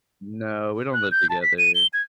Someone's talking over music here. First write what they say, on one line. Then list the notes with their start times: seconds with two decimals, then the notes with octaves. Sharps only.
No, we don't live together.
0.94 F#6
1.11 G6
1.30 A5
1.42 B6
1.58 D#7
1.75 G7
1.93 G#6